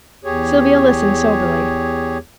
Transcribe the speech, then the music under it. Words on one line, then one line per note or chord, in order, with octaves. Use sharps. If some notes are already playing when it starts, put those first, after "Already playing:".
Sylvia listened soberly.
E2 G4 G#4 C#5